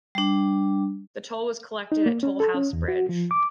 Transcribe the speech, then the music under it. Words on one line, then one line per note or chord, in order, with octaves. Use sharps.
The toll was collected at toll house bridge.
G3 D4
D#4
A#3
C#4
A4
C#4
E2
F#4
F3
D6